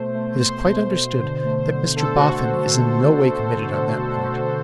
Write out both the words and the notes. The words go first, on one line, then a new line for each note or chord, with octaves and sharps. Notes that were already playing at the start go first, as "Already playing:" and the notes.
It is quite understood that Mr Boffin is in no way committed on that point.
Already playing: B2 A3 C5
A3
A3 C5
B2
B2
D3
A3
D3
D3 A4
F#4
A3
F#4